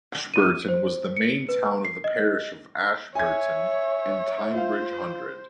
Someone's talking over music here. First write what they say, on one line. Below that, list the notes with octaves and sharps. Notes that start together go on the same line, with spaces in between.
Ashburton was then the main town of the Parish of Ashburton, in Teignbridge Hundred.
D#7
C5
C#7
B4
C7
D#5
C#5 E5 G#5 G#6
F4 C5 F5